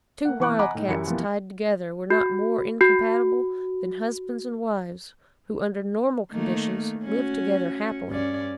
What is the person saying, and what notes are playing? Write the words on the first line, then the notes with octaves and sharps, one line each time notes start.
Two wildcats tied together were not more incompatible than husbands and wives, who under normal conditions lived together happily.
A#3 F#5
E3 B3 C#6 D6 F#6
D#5 F#5 G#5 A#5 B5 D6
A2 D#4
F#2 E3 G3 E4 A#4 C#7
E3 F3 G3 A#3 B3
F#4
F#4
D#3 A3 A#3
C#4 F#4
G2 C#4 D5